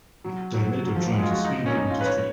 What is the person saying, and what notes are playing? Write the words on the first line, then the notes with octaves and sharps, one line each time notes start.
They later joined the Swindon and District League.
F#3
F#3
F#3
F3
F#3
G#3
F4
F#4
D#4
C#4
D#4
F4
B4
C#5